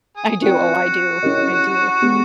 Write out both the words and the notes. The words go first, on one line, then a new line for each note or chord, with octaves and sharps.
I do. Oh, I do, I do.
G#4
C4 F4 F#4 A#4 D5 G5
C#4 E4 G4 A#4 D#5
G#3 B3 D4 G4